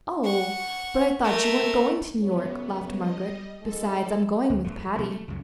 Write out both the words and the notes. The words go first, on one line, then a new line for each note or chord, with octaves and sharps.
"Oh, but I thought you weren't going to New York," laughed Margaret. "Besides--I'm going with Patty."
F#5 C#6
A3 A#4
F#2 C#3 B3 C#5
G3 D#5
G#2 G#3 A4
D2
E2 A3
B2 D3 F3 B3
A3
C#2 F#2 C#3